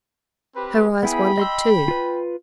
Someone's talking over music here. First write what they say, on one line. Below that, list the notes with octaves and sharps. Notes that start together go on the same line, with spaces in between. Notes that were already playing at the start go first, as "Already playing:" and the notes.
Her eyes wandered too.
C4 G4 B4
B3 E4 G#4 G5 B5
D#5 C6 E6
F4 B4